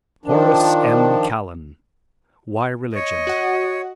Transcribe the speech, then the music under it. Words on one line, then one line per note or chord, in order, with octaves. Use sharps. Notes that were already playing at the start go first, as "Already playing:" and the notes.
HORACE M. KALLEN, "Why Religion?"
D#3 F3 D4
C#5 D#5
F#4 F#5